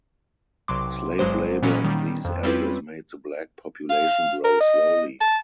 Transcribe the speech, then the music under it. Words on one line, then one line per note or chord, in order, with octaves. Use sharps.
Slave labor in these areas made the black population grow slowly.
B1 C3 F#3 C6 D6
G1 G2 F#3 G#3 C5 D6
A#2 E3 F#3 A#3 B3 C#4
D#3 G3
F2
G3 C4 C#4 E4 F4 B4
F5
A#4
D#5
A5